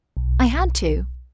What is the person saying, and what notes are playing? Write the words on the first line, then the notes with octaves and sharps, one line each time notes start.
I had to.
B1